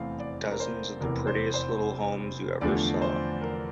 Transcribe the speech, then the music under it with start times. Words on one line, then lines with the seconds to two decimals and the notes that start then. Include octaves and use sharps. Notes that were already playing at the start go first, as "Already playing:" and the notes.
Dozens of the prettiest little homes you ever saw.
Already playing: F1 E2 E3 A3 C4 F5
0.19 D5
0.50 A#4
0.60 C5
1.00 F1 E2 C3 E3 A#4
1.27 C5
1.54 C5
2.61 E2 D3 F3 A3 D5
3.02 C5
3.41 A#4